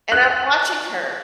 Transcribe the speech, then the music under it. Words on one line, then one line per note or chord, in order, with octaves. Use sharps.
And I'm watching her
F#6